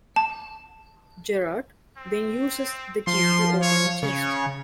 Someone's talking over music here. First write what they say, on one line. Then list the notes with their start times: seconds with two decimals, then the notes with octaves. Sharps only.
Jared then uses the key to open a chest.
0.16 A5
1.97 C4
3.07 F3 C6
3.62 C#5
4.03 C#3 C#5